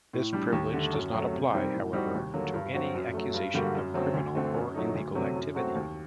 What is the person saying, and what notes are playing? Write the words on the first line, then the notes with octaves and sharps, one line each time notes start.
This privilege does not apply, however, to any accusations of criminal or illegal activity.
A2
G3 D4
D#2
D3 A3
F#2
F#3 A3
C3
D#3 G3 C4
A2
G3 C4 D#4 F#4
D#2
D3 F#3 A#3
G2
F#3 C4 F#4
F#2
F#3 A3
G2
D3 G3 A#3 F#4
F#2
D3 F#3 A3 C4
D2
D3 A3 C4
F#2
F#3 A3 D#4
D2
C3 F#3 A3
F#2
F#3 A3 C4 F#4
D#2